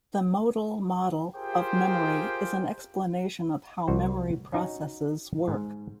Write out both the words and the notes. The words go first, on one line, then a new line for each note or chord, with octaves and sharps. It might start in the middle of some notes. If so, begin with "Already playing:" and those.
The modal model of memory is an explanation of how memory processes work.
F4 G4 G#4 A#4 C5 G5
C2 F#4 C5
C#4 D#4 F#4
G#2